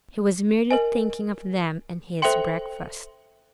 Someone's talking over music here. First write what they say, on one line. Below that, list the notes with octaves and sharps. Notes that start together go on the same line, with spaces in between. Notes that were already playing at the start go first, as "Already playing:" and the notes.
He was merely thinking of them and his breakfast.
A#4 D#5 G#5
A4 C5 E5 G5 C6